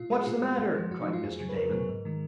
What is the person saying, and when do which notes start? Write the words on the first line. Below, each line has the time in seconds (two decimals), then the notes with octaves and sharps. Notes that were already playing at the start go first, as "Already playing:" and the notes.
"What's the matter?" cried Mr. Damon.
Already playing: A#2 F4
0.10 G#3 G#4
0.22 F#4
0.26 A#2 F4
0.43 G#3
0.58 F#2
0.75 F3 G#3
0.91 F#2 F#4
1.02 D#4
1.08 F3 G#3
1.13 F4
1.24 F2 G#4
1.40 C#3 F#3
1.49 B4
1.56 F2 A#4
1.72 C#3 F#3
1.88 G#2
2.05 D#3 G#3